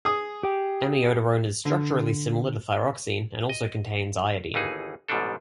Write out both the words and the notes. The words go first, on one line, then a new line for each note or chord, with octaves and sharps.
Amiodarone is structurally similar to thyroxine and also contains iodine.
G#4 D#6
G4 G5
D3
D#5
G1 D#2 E3 D#4 G#4
A1 G#2 B2 G3 D4 A4